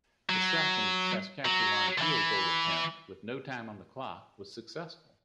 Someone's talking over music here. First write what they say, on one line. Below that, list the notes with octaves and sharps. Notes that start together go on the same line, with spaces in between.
The second Saskatchewan field goal attempt, with no time on the clock, was successful.
F#3
F#3
D3
E3